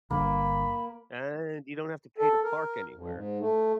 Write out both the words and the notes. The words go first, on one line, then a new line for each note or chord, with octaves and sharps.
and you don't have to pay to park anywhere,
G1 G2 D3 A#3 B5
A4
A#4
F2
G#2
A3